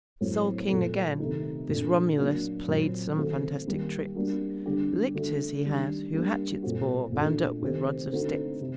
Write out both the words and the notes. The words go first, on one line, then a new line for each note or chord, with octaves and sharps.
Sole King again, this Romulus Play'd some fantastic tricks, Lictors he had, who hatchets bore Bound up with rods of sticks.
A2 F#3 C4
A#2 F#3 A3
C3 D#3 A3 D#4
A#2 A3 D4
F#3 A#3 D4 F#4
A#2 F#3 C4
D#3 A3 C4 F#4
D#3 G3 A#3
G3 A#3 D4 F#4
D3 G3 D4 G4
D3 A3 D4 F#4
D#3 G3 D4
G3 A#3 D4
A#2 A3 C4 F#4
A#2 A3 D4 F#4
C3 D#3 A3 C4 G4
D3 A3 C4 D#4 F#4
C3